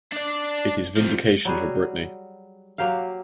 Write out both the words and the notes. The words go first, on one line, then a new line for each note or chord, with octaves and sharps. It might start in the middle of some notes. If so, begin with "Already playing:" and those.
It is vindication for Britney.
D4 D5
C3 F3
F#3 G3 F#4 G#4
F#3 A#3 G4 F5